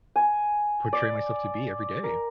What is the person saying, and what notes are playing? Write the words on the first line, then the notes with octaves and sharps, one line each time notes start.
portray myself to be every day.
G#5
D5
A#4